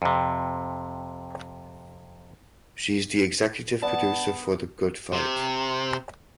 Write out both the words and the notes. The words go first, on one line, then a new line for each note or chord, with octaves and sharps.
She is the executive producer for "The Good Fight".
F2 C3
B3 D5 F#5 A5
C3